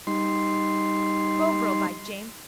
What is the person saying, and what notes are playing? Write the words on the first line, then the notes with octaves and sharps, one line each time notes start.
Bovril, by James.
G3 D#4 C6